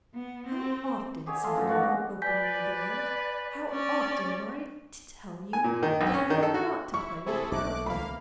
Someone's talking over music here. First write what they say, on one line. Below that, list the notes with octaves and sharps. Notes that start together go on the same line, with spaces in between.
'How often,' said mother, opening the door--'how often am I to tell you that you are NOT to play with paraffin?
B3
C4
G4 G#4 C#5 D#5
A3 A4 F5 C6
G2 C#3 F3 A4
D#3 F#4 D5
G#3
B4 D5 G#5 G6 B6
C#4 D5
G#5
A#2
D#3
B1
C#4
D#3
A4
F#4
E4 C#6
C3 E4 G#4 A4
B1 A3 D6 F#6
C#2 A#3 F5 B5